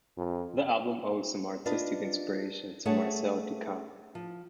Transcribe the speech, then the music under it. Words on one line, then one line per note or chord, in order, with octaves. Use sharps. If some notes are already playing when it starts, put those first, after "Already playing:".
The album owes some artistic inspiration to Marcel Duchamp.
F2
D4 F4 B4 D#5
A3 G#4 A4 C#5 F#5
F3